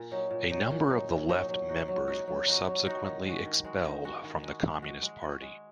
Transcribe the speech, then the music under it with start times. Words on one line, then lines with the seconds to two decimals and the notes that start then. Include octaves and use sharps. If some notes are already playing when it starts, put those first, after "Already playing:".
A number of the Left members were subsequently expelled from the Communist Party.
Already playing: A#2
0.11 F#3 D#4
0.31 A#2
0.50 F#3 D#4
0.70 A#2
0.90 F#3 D#4
1.09 A#2
1.29 F#3 D#4
1.49 F#3
1.69 D#4 F#4
1.88 F#3
2.08 D#4 F#4
2.27 F#3
2.47 D#4 F#4
2.67 F#3
2.86 D#4 F#4
3.05 D#3
3.26 G#3 F#4
3.45 D#3
3.64 G#3 F#4
3.85 D#3
4.04 G#3 F#4
4.24 D#3
4.43 G#3 F#4
4.63 G#3
4.82 F#4 D#5
5.02 G#3
5.22 F#4 D#5
5.42 G#3